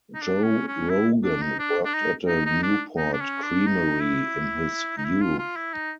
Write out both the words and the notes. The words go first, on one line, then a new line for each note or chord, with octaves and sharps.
Joe Rogan worked at a Newport Creamery in his youth.
D#4
D4
C#4
C#4
E4
D4
D#4
D4
D4
D#4
D#4
D#4
D4
D#4
D4
C#4
D4
D#4
E4
D#4
E4
F4
F4
E4
D#4